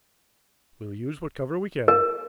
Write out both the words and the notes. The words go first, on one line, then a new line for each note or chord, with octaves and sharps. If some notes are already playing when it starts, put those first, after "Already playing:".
"We'll use what cover we can."
A#4